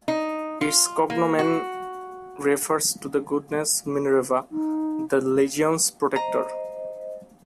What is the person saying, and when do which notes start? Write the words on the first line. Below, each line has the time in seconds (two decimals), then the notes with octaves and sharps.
Its cognomen refers to the goddess Minerva, the legion's protector.
0.08 D#4
0.61 F4
1.10 A#3
1.39 F#4
4.51 D#4
6.16 C5 D#5 A#5